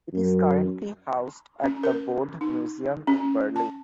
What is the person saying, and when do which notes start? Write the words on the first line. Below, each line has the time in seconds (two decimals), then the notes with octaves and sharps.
It is currently housed at the Bode Museum in Berlin.
0.13 F#2
1.64 C#4
1.83 A#4
2.41 D#4
3.07 C#4
3.56 A5